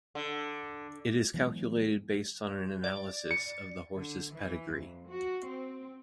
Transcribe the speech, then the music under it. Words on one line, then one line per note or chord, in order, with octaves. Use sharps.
It is calculated based on an analysis of the horse's pedigree.
D3
E3 F#3 G#3 B3
D5
C#7
D3
E3
F2
F#4
C4